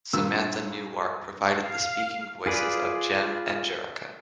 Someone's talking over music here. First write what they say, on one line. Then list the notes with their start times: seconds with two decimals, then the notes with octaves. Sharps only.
Samantha Newark provided the speaking voices of Jem and Jerrica.
0.13 G2 A#2 E6
1.61 F5
2.46 F4 G#4 B4 D5